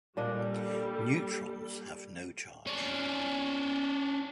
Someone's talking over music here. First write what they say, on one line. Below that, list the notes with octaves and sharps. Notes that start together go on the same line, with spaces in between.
Neutrons have no charge.
A#2 G3 D4 A4 D#5
C#4 D4